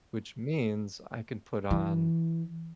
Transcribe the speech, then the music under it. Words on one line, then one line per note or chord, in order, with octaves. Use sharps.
which means I can put on,
E3